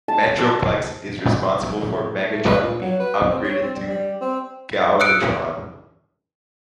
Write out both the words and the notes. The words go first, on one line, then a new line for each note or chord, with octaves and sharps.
Metroplex is responsible for Megatron being upgraded to Galvatron.
A5
A2
A3
B4
A#2
F#3
B4
C4
C#5
C4
G3
G3
C4
D#6 E6 F#6 C#7 D7